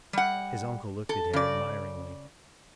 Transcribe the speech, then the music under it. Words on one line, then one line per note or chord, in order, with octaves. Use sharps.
His uncle looked at him admiringly.
G3 F#5
A4
C#3 D5